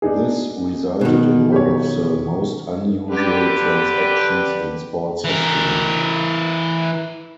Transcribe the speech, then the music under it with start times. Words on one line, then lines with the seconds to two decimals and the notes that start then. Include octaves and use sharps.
This resulted in one of the most unusual transactions in sports history.
0.02 D4 D#4 G#4
1.01 B2 D#3
1.52 G4 C#5
3.09 D3 G4 B4
5.24 E3 A#4